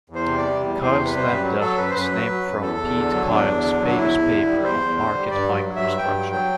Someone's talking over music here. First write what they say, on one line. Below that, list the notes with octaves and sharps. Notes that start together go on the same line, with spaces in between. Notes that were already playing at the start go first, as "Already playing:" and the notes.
Kyle's lambda is named from Pete Kyle's famous paper on market microstructure.
E2
C5
C3
D5
G3
E2
E2
C5
C3
B4
G3
C5
F#2 B4
F#3
F#3 A4
F#2 B4
C5
F#2 B4
F#3
F#3
F#2
E2 A4
E2
D3
F#3
E2 D4
E2
D3
F#3
D4
E2 E4
E2
D3
G3
E2 C5
E2
D3
G3
G2 D5
F#3
F#3
E5
G2
G2 G5
F#3
F#3 G5